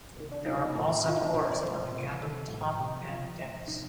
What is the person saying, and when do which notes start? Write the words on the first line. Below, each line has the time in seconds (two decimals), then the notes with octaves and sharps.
There are balsa cores on the cabin top and decks.
0.17 C3 D#3
0.32 D4
0.46 C3 F3 D#4
0.60 D#4
0.75 A2 F3 A#3
1.05 C3 D#3 F4
1.16 D#4
1.25 D4
1.34 A#2 F3 C4
1.51 D5
1.63 A2 F3 C5
1.92 C3 F3
2.22 C3 D#3 A4
2.50 A2 F3
2.79 C3 F3 G4
3.09 C3 F3 F4
3.38 A2 F3
3.68 C3 F3 D#4